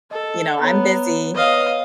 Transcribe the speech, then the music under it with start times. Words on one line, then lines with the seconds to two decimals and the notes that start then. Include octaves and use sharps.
you know, I'm busy
0.11 A4 D#5
0.60 B3 C#5 A#5 B5
1.34 B4 C#5 D#5 F5